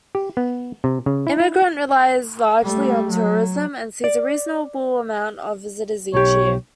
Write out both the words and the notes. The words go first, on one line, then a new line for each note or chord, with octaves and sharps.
Emigrant relies largely on tourism and sees a reasonable amount of visitors each year.
G4
B3
C3
C#3
E4
E4
G3 A3
F#3
D5
B1 G4 C#5